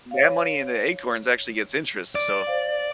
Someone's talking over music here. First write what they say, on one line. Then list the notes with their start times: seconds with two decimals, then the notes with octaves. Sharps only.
that money in the acorns actually gets interest, so
0.11 C#5 F5
2.15 D5
2.47 C5 F5